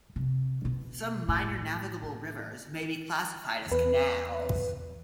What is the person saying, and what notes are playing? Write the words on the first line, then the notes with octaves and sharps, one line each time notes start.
Some minor navigable rivers may be classified as canals.
C3
B2
A2
E2 B4